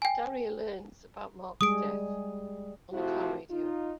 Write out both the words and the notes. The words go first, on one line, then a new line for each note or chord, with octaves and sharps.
Daria learns about Mark's death on the car radio.
G5 G#5
G3 G#3 G#4 D#6 D7
C3 F3 A3 E4 F#4
D#4 F4